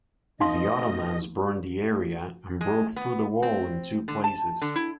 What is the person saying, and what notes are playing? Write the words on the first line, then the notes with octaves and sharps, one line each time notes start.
The Ottomans burned the area and broke through the wall in two places.
B2 D#4 D#5 F5 C6
G#3
B3
C4
D3
A5
D3
E4